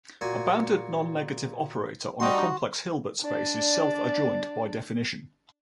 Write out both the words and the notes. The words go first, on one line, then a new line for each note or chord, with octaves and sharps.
A bounded non-negative operator on a complex Hilbert space is self adjoint by definition.
A#2 F#4 G#5
G3 D4 D#4 F#4 C6
D4 D5